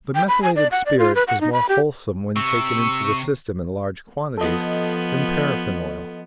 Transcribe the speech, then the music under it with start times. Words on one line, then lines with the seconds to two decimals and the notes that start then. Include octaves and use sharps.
But methylated spirit is more wholesome when taken into the system in large quantities than paraffine oil.
0.15 G5
0.28 B5
0.43 G#5
0.56 D5
0.72 F#5
0.86 D5
0.99 F4
1.15 B4
1.28 F#5
1.41 D#4
1.53 B5
1.69 G4
2.36 C3 C#6 E6
4.37 F3 B3 A4 D#5